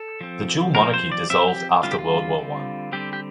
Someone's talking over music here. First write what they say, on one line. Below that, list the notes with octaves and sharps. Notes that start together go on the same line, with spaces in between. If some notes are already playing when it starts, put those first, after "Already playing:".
The dual monarchy dissolved after World War One.
Already playing: A4
F3 C4
F3 C4 A#4
C5
D5
F3 C4 E5
G4
D3 G3 C4 F4
G4
F4
D3 G3 C4
D3 G3 C4 G4
G4